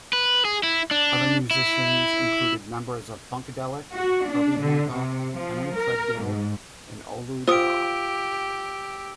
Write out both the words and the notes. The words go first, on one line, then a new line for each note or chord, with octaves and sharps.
Other musicians included members of Funkadelic, Herbie Hancock, Henry Threadgill and Olu Dara.
B4
G#4
E4
D4
E4
F#4
D4
D3
C3
F3
A#4
G#2
F4 G4 C5 D#6 E6 D7